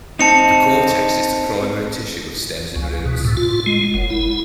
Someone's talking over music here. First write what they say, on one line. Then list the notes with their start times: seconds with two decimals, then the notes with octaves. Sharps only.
The cortex is the primary tissue of stems and roots.
0.19 C4 D#4 A5 C#7 F7
2.76 C#2
3.05 B2
3.25 A2
3.37 F4
3.66 G#3
3.94 F#1
4.10 E4